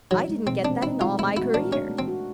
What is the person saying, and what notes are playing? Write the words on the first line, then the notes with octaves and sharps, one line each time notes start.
"I didn't get that in all my career."
F#3 D#4
G#3
B2 C4
C4 D4
D#4 E4
G#3 F4
A3 E4
E4 F#4
D4 A#4
C#4 D4
A3
C4
F#4